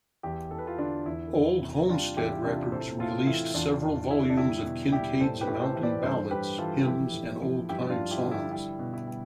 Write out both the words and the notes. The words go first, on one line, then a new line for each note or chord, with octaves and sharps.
Old Homestead Records released several volumes of Kincaid's mountain ballads, hymns, and old-time songs.
E2 E4 G4
E2 A4
B4
F4 A4
D3 D4 F4
E2 E4
E2
C3
G3 D4 F4
E2 E4 G4
C3 D4 F4
A2 A4 C5
A2 F4 A4
E3 E4
E2 D4 F4
E2 D4
D3 E4
D4
G3 E4
B2
G3 E4 G4
A2 A4 C5
G4 B4
A2
A4 C5
E3
B4 D5
G2 A4 C5
G2 G4 B4
E3 F4 A4
F3 E4 G4
A2
F3
G2 E4 G4
D4 F4
G2
E4 G4
D3
E4 G4
G3 E4
B2
E4
G3